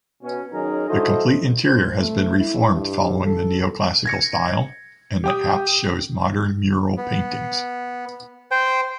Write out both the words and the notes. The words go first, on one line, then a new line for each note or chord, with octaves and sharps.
The complete interior has been reformed following the neoclassic style and the apse shows modern mural paintings.
B2 B3 C#4
D#3 F#3 C#4 D#4 G#4 A#4
D#4 E4 F#4 A4 C5 D#5
C5
A3
E4
G2
A4
G#6 A#6 C#7
G4 G5 D#6
B3
C5 G5